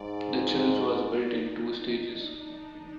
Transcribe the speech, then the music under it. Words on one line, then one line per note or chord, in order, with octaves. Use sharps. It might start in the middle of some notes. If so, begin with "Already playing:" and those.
The church was built in two stages.
Already playing: G#2 D5
D#4
D4
D#4